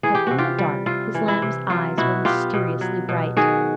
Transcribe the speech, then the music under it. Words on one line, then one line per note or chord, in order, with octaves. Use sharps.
But in the dark his lamb's eyes were mysteriously bright.
E3 G#4
G4
C3 F#4
F4 G4
G3
C3 F4
E3
E4
C3
F#3 F4
B2 E4 F#4
B3 F4 G4
B2
F#3
B2
D#3 F#4 G#4